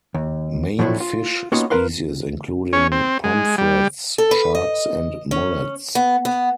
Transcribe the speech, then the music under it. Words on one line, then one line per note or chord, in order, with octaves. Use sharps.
Main fish species including pomfrets, sharks and mullets.
D#2
A2 F3 F#3 A3 D4 E4
F4
A#3 B3 C#4 D#4 F4 F#4
A#4 B4 F5 C6
C#4
C4
G#3
G3
A4
B4
D#5
C#4
B3
B3